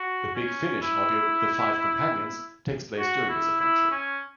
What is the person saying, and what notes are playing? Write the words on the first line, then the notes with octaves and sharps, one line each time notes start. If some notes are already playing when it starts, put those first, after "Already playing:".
The Big Finish audio "The Five Companions" takes place during this adventure.
Already playing: F#4
C#4
E4
F#4
E4
E4
C#4